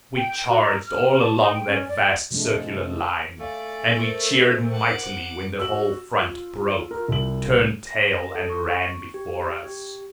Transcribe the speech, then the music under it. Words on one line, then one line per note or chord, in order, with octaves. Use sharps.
We charged all along that vast circular line, and we cheered mightily when the whole front broke, turned tail, and ran before us.
G5
F#4
A#4
F6
A5
D#4
G5
C#4
D5
C3 F3 G#3 A3 D4
A3 D5 F5 G#5
A#4 C5
F#5 D6
F#4 E6 F#7
F4
A#4
C2 F#7
A#6
A4
C#6
G4
G4